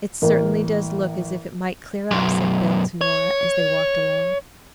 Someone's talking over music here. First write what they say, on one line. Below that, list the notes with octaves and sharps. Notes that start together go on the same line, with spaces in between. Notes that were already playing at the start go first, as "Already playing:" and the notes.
"It certainly does look as if it might clear up," said Belle to Nora, as they walked along.
A1 A#3 A#4
B1 F#2
C#5